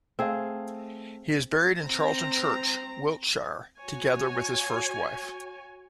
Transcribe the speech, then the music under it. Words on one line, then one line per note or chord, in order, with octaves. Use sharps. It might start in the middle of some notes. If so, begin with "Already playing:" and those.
He is buried in Charlton Church, Wiltshire, together with his first wife.
A3 C4 G#4 F5
C4 A#5
F#4 C#5 G#5